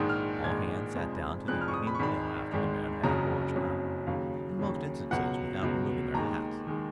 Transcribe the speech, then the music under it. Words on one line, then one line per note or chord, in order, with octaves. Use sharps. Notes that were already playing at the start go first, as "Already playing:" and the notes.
All hands sat down to the evening meal after the men had washed up, in most instances without removing their hats.
Already playing: A#1 G#2 D#3 G#3 D#6
F6
A#1 G#2 D#3 G#3 G#6
F1 F2 F3 G#3
F1 F2 F3 G#3 F#6
F6
C#6
D#6
B5
C#6
G#1 G#2 D#3 G#3 B5
G#1 G#2 D#3 G#3
F#1 F2 C#3 F#3 A#5
F#1 F2 C#3 F#3
D#2 C#3 F#3 F5
D#2 C#3 F#3
C#2 B2 F#3 F#5
C#2 B2 F#3
D#2 D#3 G#3 A#5
D#3 G#3